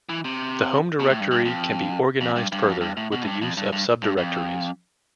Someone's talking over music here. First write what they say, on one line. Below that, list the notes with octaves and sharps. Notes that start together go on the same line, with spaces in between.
The home directory can be organized further with the use of sub-directories.
E3
C3
B2
A2
G2
G2
F2
F2
G2
G2
F2
G2
A2
B2
A2
G2
F2
G2
G2
G2
F2